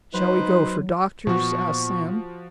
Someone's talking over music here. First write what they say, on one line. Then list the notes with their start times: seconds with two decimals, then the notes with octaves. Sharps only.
"Shall we go for doctors?" asked Sam.
0.14 F#3 D#4 B4 C5
1.27 A#2 F3 B3 F#4 C#6